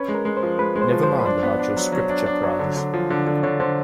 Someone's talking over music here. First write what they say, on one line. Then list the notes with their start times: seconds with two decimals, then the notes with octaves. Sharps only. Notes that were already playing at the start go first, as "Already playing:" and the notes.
Never mind about your Scripture prize.
Already playing: C#4 B4
0.08 G#3
0.14 A#4
0.25 G#3
0.37 C5
0.43 F3
0.59 G#3 B4
0.76 G#3
0.81 C5
0.92 F3
1.03 C5
1.09 F3
1.19 B4
1.25 D4 C5
1.43 B3
1.59 D4
1.77 F#3
1.92 F#3
2.10 D4
2.26 D4
2.43 F#3
2.59 D3
2.77 D3
2.94 F3
3.10 D3
3.27 D3
3.43 D3 C#5
3.60 D3 C5